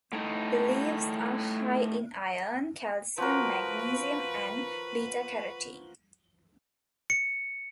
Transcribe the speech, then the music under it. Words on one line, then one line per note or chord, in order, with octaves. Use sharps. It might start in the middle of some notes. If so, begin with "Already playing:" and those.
The leaves are high in iron, calcium, magnesium, and beta carotene.
A2 D#4
F3 F#4 A#4 B4
C#7